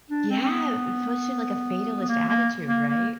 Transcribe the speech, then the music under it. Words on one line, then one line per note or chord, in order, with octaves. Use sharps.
Yeah, especially, like, a fatalist attitude, right?
D4
C4
C4
B3
B3
A#3
A#3
A#3
A#3